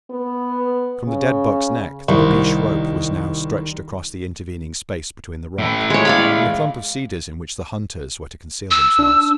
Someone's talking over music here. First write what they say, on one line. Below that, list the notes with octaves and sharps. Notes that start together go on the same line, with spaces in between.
From the dead buck's neck the babeesh rope was now stretched across the intervening space between the rock and the clump of cedars in which the hunters were to conceal themselves.
B3
C#3
C2 D#3 G3
A2 E3
G#3 C#5
D5 F5 B5
E6
D4